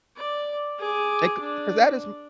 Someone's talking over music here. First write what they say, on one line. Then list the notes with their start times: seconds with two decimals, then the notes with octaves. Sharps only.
Like, 'cause that is m
0.16 D5
0.79 G#4 D6
1.40 D4